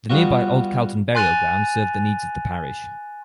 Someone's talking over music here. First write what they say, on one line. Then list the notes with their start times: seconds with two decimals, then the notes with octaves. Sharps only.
The nearby Old Calton Burial Ground served the needs of the parish.
0.10 G3 B3 F4 F#4
1.15 G#5 C6 F#6 A6 D#7 F7